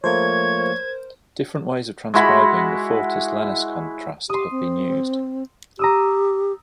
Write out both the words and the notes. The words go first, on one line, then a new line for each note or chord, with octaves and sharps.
Different ways of transcribing the fortis-lenis contrast have been used.
F3 A3 A#3 A#4 C5 C#5 G#6
G#3 E4 F#4 B5
G4 C6 D#6
C4
G4 A#5 D#6 E6